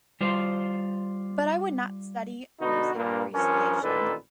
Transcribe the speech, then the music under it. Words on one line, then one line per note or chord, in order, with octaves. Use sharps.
But I would not study music appreciation.
G3 F4 C5
B2 D3 B3 D#4 F#4
G2 A#2 A#3
G2 F3 C#4 A#4
A1 A#2 D#3 D4 A4 B4